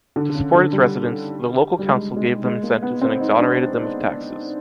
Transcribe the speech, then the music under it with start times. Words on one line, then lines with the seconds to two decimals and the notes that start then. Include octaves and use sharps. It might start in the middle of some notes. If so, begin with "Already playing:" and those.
To support its residents, the local council gave them incentives and exonerated them of taxes.
0.16 D3
0.35 C#3
0.54 D3
0.73 G3
1.79 G3
1.88 G#3
2.16 G#3
2.44 G#3
2.63 A#3
2.83 B3
3.02 C4
3.20 D#4
3.40 D4